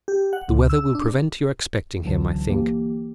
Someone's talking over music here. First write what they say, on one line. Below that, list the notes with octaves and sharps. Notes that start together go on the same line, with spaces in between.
The weather will prevent your expecting him, I think.
G4
F#5
C#2
E6
D4
C#2 D3 E3 F#3 A5
E3 A#3 G4